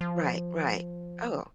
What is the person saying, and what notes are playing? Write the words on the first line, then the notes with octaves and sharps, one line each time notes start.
Right, right. Oh,
F3